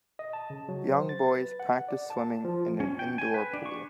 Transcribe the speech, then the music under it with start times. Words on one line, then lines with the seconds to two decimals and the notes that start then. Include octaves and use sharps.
Young boys practice swimming in an indoor pool.
0.19 D#5
0.33 A5
0.50 C#3
0.69 F#3
0.89 C5
1.09 A6
1.34 B4
1.60 F#5
1.89 D5
2.10 A5
2.44 F3
2.80 C#4
2.99 G5
3.18 G#5
3.34 B4
3.53 D4
3.66 C#6